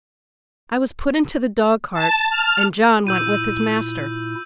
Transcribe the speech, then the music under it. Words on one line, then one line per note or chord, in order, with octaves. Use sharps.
I was put into the dog-cart, and John went with his master.
A5
F6
A#2 E4 E6 G6 D#7